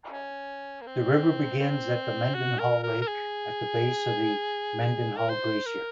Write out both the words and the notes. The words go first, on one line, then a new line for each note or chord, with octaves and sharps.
The river begins at the Mendenhall Lake, at the base of the Mendenhall Glacier.
C#4
A#3
C4
C4
F#4
A#4
A#4
A#4
G#4
A#4
C5
A#4